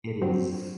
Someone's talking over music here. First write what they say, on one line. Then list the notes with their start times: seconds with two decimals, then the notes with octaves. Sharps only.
It is.
0.22 D3 F#3 C4 F#4